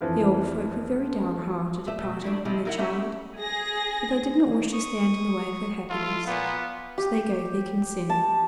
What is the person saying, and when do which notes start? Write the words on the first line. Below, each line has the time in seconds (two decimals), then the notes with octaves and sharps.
The old folk were very down-hearted at parting from their child, but they did not wish to stand in the way of her happiness, so they gave their consent.
0.01 F2 E3 F3
1.87 A3 E5
1.98 B2 A3
2.23 A3 D4 E4 G4
2.45 F3 G#3 C4 E4 F4 G4
2.65 D#4 E4 A#4 E5 F#5
2.78 A3 C#4 G4 E5 F#5
3.39 G#4 A#6
4.73 C#6 D#6
5.90 E4 F4 A4
6.27 A#2 A#3 B3 F4
6.98 G4
8.10 A5